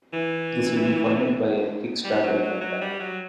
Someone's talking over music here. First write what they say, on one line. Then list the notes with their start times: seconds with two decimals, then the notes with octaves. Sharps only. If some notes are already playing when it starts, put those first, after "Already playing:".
This will be funded by a Kickstarter campaign.
0.13 E3
2.04 G3
2.23 F#3
2.42 F#3
2.61 F#3
2.81 G3
2.99 F#3